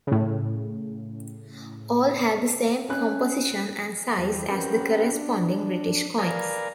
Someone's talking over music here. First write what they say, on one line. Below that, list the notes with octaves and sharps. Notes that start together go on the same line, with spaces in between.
All had the same composition and size as the corresponding British coins.
A2 C#3
C4 C#4 F#6
E2 G3
C4 C#4 F#4 G4 A#4 B4
D4
A#4 B4 D5 F5 G#5 A#5